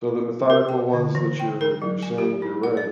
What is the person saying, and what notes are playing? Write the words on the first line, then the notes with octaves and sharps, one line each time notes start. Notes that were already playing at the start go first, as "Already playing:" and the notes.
So the methodical ones that you're you're saying you're right,
A#4
G5
D3
E3
G5
A#4
F#3
G#5
G4
E4
F#5
D5